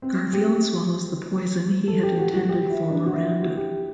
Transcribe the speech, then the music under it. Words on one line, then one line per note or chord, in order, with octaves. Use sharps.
Garfield swallows the poison he had intended for Miranda.
C4
G4
A4
G4
F#4
F#4
G4
E4
D4
F#4
E4
F#4
G4